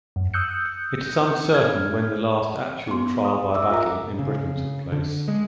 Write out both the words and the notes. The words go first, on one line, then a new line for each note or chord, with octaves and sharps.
It is uncertain when the last actual trial by battle in Britain took place.
F#2
D#6 E6 F#6 G6 C#7
F6 G#6
B3 C6
D#6
G#4
E5 D6 E6
F4 A#4 A#5
C#3
D3
G#3